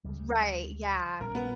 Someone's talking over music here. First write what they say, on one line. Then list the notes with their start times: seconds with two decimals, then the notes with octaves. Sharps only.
r right, yeah i
0.04 D2 C#3 G3
1.20 A#1 A#2 G3 C#4 A#4
1.35 B3